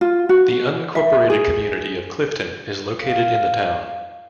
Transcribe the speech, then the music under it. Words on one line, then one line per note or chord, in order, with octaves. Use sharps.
The unincorporated community of Clifton is located in the town.
F4
F#4
E5
G#4
F5